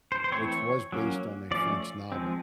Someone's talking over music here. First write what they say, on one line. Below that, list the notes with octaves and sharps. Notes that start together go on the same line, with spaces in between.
which was based on a French novel,
C5
C5
E3 A3 C4 C#5
F#3 A#3 C#4
F3 A3 C#4 D5
F3 G#3 C4